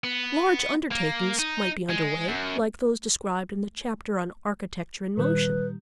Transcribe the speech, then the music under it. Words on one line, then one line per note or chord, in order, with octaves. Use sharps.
Large undertakings might be under way, like those described in the chapter on Architecture-in-Motion.
B3
A#3
D#4
G#3
F#2
A#2 D#3 G3 B4